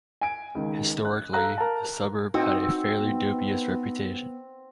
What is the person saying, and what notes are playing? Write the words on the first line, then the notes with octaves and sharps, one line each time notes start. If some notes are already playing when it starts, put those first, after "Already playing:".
Historically, the suburb had a fairly dubious reputation.
G#5 D7
C#2 D#3
F#6
A4 F5 A#5 F#6
A#4 A5
C4 D#4 F#4
B3